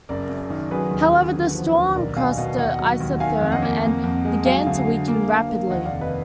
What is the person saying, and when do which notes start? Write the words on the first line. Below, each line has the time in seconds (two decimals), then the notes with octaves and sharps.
However, the storm crossed the isotherm and began to weaken rapidly.
0.09 F#1 A#4 D5
0.29 F#2
0.50 D#3
0.71 F#3 G#4 B4
0.91 D#2
1.13 F#3
1.34 D3
1.55 F3
1.75 D#2
1.95 B1 A#4 D5
2.16 B2 F5 G#5
2.37 B2 D#5 F#5
2.58 D#2 D#5 F#5
2.80 F#3
3.00 D#2
3.20 D#3 F5 G#5
3.41 F2
3.52 D#5 F#5
3.62 A#3
3.83 F2
4.04 F2
4.25 G#3
4.46 F#3 F5 G#5
4.67 D2
4.87 D3
5.08 A#3
5.28 A#3
5.49 A#3
5.70 D#2 D#5 F#5
5.85 D5 F5
5.91 F1
6.01 B4 D#5